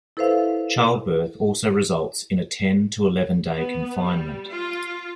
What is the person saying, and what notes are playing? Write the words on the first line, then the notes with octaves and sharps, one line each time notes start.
Childbirth also results in a ten to eleven-day confinement.
E4 A4 B4 C5 E5 F5
B3
G3
F4